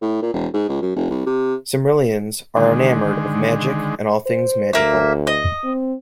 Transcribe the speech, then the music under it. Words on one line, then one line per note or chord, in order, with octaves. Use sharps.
Cymrilians are enamoured of magic and all things magical.
A2
A#2
E1
G#2
C#2
F#2
F1
C2
C3
D3 D#3 G#3
C5
D2 A#3 E5
D#5
C4